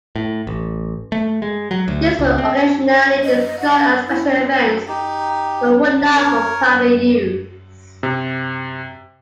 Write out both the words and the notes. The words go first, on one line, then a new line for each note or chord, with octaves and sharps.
These were occasionally deployed at special events but were not for private use.
A2
A1
A3
G#3
F#3
D2
C#2
C4
D#5
F#5
E4
D#4 G4
A#4 C#5
C3